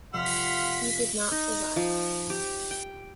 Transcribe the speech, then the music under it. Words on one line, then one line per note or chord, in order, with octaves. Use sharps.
He did not survive.
F1 F5 F#5 C6 B6
D#4
F3
G4
G5